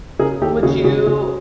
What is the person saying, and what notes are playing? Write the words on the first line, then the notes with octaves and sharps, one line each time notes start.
Would you
C#3 G#4 A#4
D#2 G4 A4
C#3 F#4 G#4
C#3 F#4 G#4
C#3 F#4 G#4